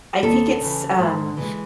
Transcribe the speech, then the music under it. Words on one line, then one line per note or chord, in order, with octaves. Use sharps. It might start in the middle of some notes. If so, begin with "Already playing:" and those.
I think it's, um
D#2 A4
C#3 E3
G#2
E3 G#3